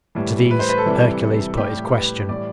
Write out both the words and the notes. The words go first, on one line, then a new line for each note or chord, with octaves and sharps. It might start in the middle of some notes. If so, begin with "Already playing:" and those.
To these Hercules put his question.
A2 E3 G3
B4
C5
B4
A4
C3 E3 G3
A2 G3 G4
B4
A2 E3 G3 D5